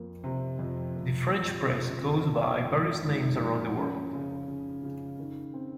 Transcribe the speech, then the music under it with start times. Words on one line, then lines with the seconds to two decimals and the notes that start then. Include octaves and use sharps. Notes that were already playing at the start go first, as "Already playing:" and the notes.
The French press goes by various names around the world.
Already playing: F2 A#3
0.24 C3
0.59 F2
0.95 A#2
1.29 A#2
1.65 A#2
2.01 C4
2.36 F3
2.71 G#2
3.07 G#2
3.42 F3
3.77 C#4
4.13 C#3
4.48 C#3
4.83 C#3
5.19 D#3
5.54 C4